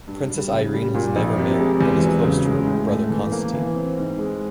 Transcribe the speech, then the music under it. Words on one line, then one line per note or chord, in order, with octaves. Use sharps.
Princess Irene has never married and is close to her brother, Constantine.
G2
G3
C#3
G3
A#2
A#1
C3
G#3
E2
F#3
C#3
G#3
A2
A3
E3
A#3
E3
C4
G#2
G#3